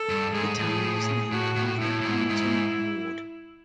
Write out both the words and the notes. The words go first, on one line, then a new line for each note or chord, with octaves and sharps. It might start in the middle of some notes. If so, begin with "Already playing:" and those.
The town was named after Hamilton Ward.
Already playing: A4
G2
G#2 G#4
A2
A2 F#4
A2
A2 E4
A2
G#2
G#2